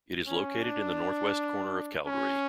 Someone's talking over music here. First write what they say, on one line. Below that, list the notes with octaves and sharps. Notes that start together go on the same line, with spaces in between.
It is located in the northwest corner of Calgary.
C#4
D4
C#4